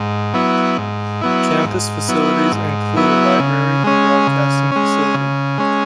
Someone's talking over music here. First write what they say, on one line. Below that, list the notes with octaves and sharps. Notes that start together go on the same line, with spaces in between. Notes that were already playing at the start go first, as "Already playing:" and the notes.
Campus facilities include a library and broadcasting facility.
Already playing: G#2
F#3 B3 E4
G#2
F#3 B3 E4
G#2
F#3 B3 E4
G#2
F#3 B3 E4
C#3
G#3 C#4
C#3
G#3 C#4
C#3
G#3 C#4